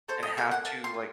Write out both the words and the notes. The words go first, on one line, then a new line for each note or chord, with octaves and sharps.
and have to like
A4 C5
D#5
A#3 F5
F#5
A#3 A5
C6
F4